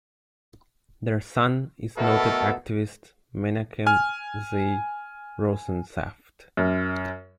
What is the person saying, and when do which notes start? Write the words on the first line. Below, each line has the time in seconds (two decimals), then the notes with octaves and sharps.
Their son is noted activist Menachem Z. Rosensaft.
1.97 B2 A3 B3 A4 A#4
3.87 G#5 F6
6.57 F#2